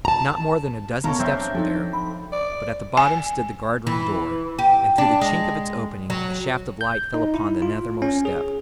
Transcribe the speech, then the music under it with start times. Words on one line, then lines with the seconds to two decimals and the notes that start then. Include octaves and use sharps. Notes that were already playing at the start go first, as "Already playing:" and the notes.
Not more than a dozen steps were there; but at the bottom stood the guardroom door, and through the chink of its opening a shaft of light fell upon the nethermost step.
0.05 A5 A#5
1.04 B2 C#4 A4 A#4 F5 A#5
1.19 F#3 C4 E5 G5
1.33 D4
1.55 F3 D#4 A4
1.93 B5
2.32 D5
2.97 G#5
3.87 E3
4.59 G4
4.98 D4
5.21 G#3
6.10 F#3
6.81 G6
7.14 D#4
7.34 E4
7.62 F4
8.02 C#4
8.25 G#4